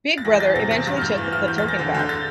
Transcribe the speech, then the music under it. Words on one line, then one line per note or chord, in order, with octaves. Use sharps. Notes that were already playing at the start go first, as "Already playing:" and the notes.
Big Brother eventually took the token back.
A6
E2 A#6
G6
E3 A6
C3 A#6
E2 A6
G2 A6
F6
G2 G6
E3
E3 F6
E2 G6
A6
E2 A#6
D3
D3 G6
A6